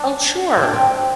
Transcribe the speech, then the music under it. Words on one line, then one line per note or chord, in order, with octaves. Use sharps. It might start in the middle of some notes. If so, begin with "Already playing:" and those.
Oh, sure.
Already playing: D4
C4
D4
C4